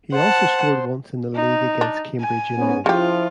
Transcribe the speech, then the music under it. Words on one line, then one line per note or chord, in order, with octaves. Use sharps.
He also scored once in the league against Cambridge United.
C5 F#5 A5
D#4
D4
G#5
G#2 B3 C#4
C#3 F3 E4 F4 G4